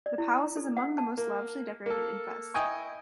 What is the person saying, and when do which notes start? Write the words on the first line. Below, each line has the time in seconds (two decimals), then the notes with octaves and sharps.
The palace is among the most lavishly decorated in Fes.
0.06 D5
0.18 E4
0.38 A#5
0.57 A4
0.77 F#5
0.98 A5
1.18 A#3
1.86 A#3 A4
2.54 E4 D#5 G5 G#5 C#6